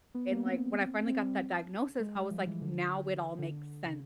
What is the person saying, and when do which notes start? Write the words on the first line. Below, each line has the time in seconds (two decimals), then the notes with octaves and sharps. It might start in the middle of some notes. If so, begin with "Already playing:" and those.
and like, when I finally got that diagnosis, I was like, "Now it all makes sense."
0.15 B3
0.31 A#3
0.45 C4
1.07 C4
1.23 G3
2.00 G#3
2.15 G3
2.31 F3
2.47 E3
2.62 D3
3.39 D3
3.55 D3
3.86 C#3